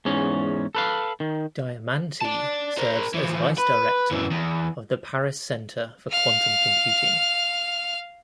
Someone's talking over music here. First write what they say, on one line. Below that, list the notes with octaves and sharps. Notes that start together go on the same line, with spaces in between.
Diamanti serves as Vice Director of the Paris Centre for Quantum Computing.
E2 G#2 C#4
A4 B4 F5
D#3
D5 A5
A#4 C5
E3 F3
B4
F#2 E3
E2
F5 F6